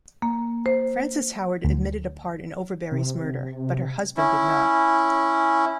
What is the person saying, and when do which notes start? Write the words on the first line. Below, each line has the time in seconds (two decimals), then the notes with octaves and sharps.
Frances Howard admitted a part in Overbury's murder, but her husband did not.
0.22 A#3
0.66 C5
1.64 D2
2.92 C3
4.17 C#4 E4